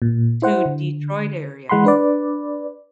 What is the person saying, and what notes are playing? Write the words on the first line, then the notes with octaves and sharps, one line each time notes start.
to Detroit area,
A#2
E4 C5 F#5
D3
E3 G#3 F#5 B5 C6
D4 B4 D5